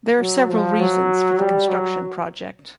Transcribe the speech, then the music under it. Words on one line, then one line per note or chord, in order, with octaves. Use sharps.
There are several reasons for the construction project.
F#3
F3
F#3
G3
F#3